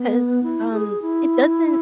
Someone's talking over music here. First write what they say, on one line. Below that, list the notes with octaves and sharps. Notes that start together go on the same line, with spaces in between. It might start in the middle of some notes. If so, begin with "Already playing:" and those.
'cause, um, it doesn't
Already playing: B3
E4
G#4
E4